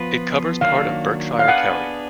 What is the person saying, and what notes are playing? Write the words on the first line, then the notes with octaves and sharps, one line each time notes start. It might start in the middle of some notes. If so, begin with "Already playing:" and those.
It covers part of Berkshire County.
Already playing: F3 B3 F4 B4
D#3 F#3 A#3 D4 F5
F5
B3 D4 G#4 B4 F#5